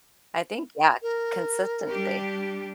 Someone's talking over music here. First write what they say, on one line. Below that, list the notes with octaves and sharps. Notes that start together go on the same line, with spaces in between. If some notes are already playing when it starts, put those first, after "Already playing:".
I think, yeah, consistency.
A#4
G3 D4 G4